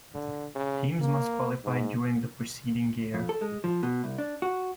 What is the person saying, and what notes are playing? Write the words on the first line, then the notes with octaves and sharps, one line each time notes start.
Teams must qualify during the preceding year.
D3
C#3
A#3
G#2
F2
A4
G#3
F3
B2
C2
D4
F#4